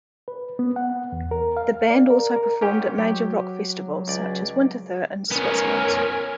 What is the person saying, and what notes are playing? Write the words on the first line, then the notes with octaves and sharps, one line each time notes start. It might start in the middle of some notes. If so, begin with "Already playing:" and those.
The band also performed at major rock festivals such as Winterthur in Switzerland.
B4
B3
F#5
E2
A#4
F5
D5
A#4
A#4
G#2 C#4 G4
F#3 G4
C#2 D5
B3 C#4 A#4 G#5